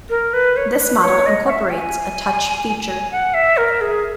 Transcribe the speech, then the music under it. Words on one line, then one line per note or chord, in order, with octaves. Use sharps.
This model incorporates a touch feature.
A#4
B4
C#5
B4
C#5
D#5
F#5
E5
G#5
G#5
F#5
E5
A#4
G#4